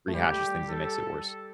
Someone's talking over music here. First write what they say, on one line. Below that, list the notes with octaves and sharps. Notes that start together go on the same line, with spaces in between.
rehashes things and makes it worse.
A3
G3 G4
A4